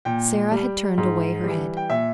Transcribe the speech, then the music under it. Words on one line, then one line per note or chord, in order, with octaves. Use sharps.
Sara had turned away her head.
A#2 G5
G3
G#2
E3 G3
G5
A#2 E5